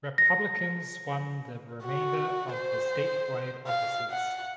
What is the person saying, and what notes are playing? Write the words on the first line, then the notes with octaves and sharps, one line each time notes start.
Republicans won the remainder of the statewide offices.
A#6
F#4
C5
F5
F#5